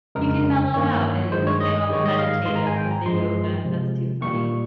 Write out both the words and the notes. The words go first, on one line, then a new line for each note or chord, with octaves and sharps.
you can mellow out and get all meditative with the yoga, that's too funny.
F2 C#3 G#3 A#4
G2 D#3 A#3 C#5
G2 D#3 G#3 C5
C#5
D#5
G#2 D#3 G#3 C#5
D#5
F5
G#2 D#3 G#3 C6
A#5
G#5
G5
A#5
G2 F3 G#3 C6
C3 F3 G#3
A#2 G3 A#3 C#6